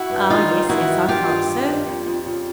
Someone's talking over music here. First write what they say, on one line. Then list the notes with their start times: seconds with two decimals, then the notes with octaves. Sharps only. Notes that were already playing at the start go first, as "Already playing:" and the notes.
Ah, yes, yes; I thought so.
Already playing: E4 F#4
0.10 G2
0.30 D#3 D#4 F4
0.50 G2
0.69 D#3 E4 F#4
0.89 G2
1.08 D#3 F4 G4
1.28 G2
1.47 D#3
1.67 G2
1.87 F2
2.06 F2
2.26 C#3